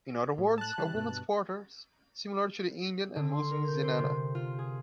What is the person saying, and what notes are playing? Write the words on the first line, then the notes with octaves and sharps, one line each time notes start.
In other words, a women's quarters, similar to the Indian and Muslim zenana.
A2
A5 F#6
C#3 E3 G3
G2 B2
D3
C6
A#4
G6
C5
C3
F4
G#4